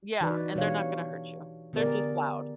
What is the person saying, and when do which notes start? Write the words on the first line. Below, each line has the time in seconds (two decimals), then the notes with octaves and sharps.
Yeah. And they're not gonna hurt you, they're just loud.
0.21 E3 D#4 F#4 B4 D5
0.55 B2 E3 D4 G4 C#5 F5
1.73 D3 B3 G4 G#4 A#4 D5